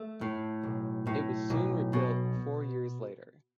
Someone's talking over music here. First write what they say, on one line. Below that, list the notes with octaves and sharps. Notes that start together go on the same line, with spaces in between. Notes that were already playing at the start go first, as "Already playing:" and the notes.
It was soon rebuilt four years later.
Already playing: A3
A2
B1
A2
B1
B2